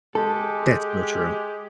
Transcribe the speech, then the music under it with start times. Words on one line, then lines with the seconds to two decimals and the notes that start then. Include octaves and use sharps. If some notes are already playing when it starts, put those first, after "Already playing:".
That's so true.
0.15 G#3 G4 A4